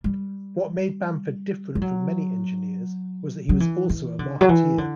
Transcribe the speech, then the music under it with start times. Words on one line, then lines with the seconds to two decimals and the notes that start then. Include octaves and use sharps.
What made Bamford different from many engineers was that he was also a marketeer.
0.04 G3
1.75 G3
1.81 F#3
3.49 F#3
3.60 E3
3.90 E3
4.19 D3
4.41 F#3
4.49 E3
4.78 D3